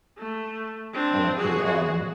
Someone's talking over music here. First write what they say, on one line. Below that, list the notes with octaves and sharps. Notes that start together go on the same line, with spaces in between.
on, like, her, um
A3
C4 D4
F#4 G#4